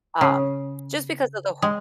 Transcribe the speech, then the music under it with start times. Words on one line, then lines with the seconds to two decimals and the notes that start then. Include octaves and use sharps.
um, just because of the ho
0.21 C#3
1.62 G#3